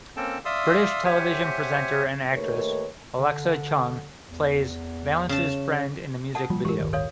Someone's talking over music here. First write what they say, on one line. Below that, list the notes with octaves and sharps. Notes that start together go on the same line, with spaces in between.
British television presenter and actress Alexa Chung plays Valance's friend in the music video.
A#3 C4 C#4 A4 G5 A5
D5 E5 F5 C6 D#6 E6
G4 C5 C#5 E5 F#5 G#5
D#2 D#3 A3 A#4 B4 C#5
D3
E2
C#3 A5
A4 F#5 A5
F3 G3 A#3 F4
G2 E3 G#3 G4 A#4
D1 G1 D#3
A4 C#5 F5